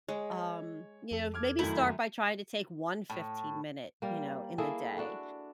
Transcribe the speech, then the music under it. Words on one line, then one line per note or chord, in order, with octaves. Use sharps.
um, you know, maybe start by trying to take one fifteen-minute, you know, in the day,
G#3 C#5
F2 A4
D6 F6 G#6
F#2 D#3 A3 E4 F#5
A2
G3 A#3
A#3 E4 G#4 A4
D4 F#4 A4